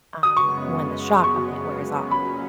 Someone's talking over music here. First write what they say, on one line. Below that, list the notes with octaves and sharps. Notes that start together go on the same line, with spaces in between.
um, when the shock of it wears off
D#6
F#2 C#3 G#3 B3 C#6
C#6
A#2 F#3 C#4 B5